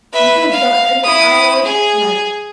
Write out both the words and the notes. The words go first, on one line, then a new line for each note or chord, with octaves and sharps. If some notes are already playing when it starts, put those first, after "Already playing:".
You guys don't any I always had
B4 E5
F5
E4 D#6
G#4